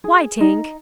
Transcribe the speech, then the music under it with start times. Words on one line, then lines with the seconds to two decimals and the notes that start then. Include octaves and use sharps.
"Why, Tink?"
0.04 G#4
0.41 D#4